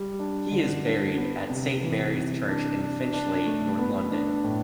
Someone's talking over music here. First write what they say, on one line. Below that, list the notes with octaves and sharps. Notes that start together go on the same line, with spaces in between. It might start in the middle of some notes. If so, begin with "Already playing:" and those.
He is buried at Saint Mary's church in Finchley, north London.
Already playing: G3
D4
D3
D4
B3
C3
E3
C3
D4
D4
D4
A3
B3
D4
A2